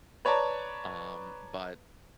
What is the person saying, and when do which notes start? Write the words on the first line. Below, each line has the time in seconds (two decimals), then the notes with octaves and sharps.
Um, but,
0.25 B4 C#5 D5 A5 A#5